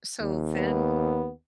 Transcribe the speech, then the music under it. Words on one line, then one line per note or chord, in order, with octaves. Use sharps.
So then,
D#2
B3